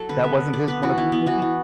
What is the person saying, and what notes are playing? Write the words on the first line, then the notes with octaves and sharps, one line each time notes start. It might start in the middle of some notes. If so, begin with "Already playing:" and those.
That wasn't his one of his movies?
Already playing: F#3 A4
D3 B4
B3 E5
D3
D3 D5
B3 B4
E3 F#4
B3 E4
E3 B3
E3 F#4
E3